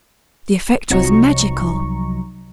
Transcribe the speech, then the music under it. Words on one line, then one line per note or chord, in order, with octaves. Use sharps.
The effect was magical.
C2 F3 F#3 D#4 A#5 C#6